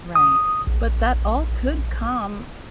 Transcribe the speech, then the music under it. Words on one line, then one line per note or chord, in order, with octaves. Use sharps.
Right, but that all could come,
D#6
A#1